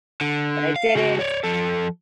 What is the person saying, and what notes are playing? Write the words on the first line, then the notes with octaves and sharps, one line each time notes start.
but I didn't,
D3
F5
C#3 F#4
C#5 D5
F3 A4